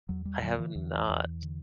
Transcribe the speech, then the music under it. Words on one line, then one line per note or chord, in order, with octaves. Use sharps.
I have not.
E2 F#3
G3
D3 F#3
E3
E2 E3
E2
D3